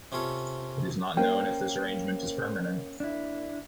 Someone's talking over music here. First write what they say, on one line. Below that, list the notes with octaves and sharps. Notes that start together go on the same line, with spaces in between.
It is not known if this arrangement is permanent.
C3 C#4 F4 A4 C#5
A#3 C#4 C5 G5
D4 E4